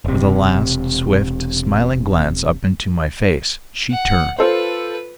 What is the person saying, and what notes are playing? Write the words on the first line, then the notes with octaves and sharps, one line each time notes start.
With a last swift, smiling glance up into my face, she turned.
E1 C3
F#5
F4 A4 B4 C5